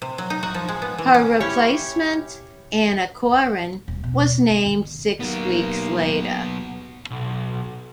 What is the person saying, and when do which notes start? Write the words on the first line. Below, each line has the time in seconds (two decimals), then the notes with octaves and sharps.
Her replacement, Anna Coren, was named six weeks later.
0.02 C3
0.18 F#3
0.30 D#4
0.43 F#4
0.54 F3
0.68 G#3
0.82 B3
0.98 E3
1.14 C#4
1.40 C#4 E4 G4 C#5 C#6
3.88 D#1
4.04 B2
4.49 D3
4.66 D#3
5.20 D#2 F#3 A#3 B3
7.11 B1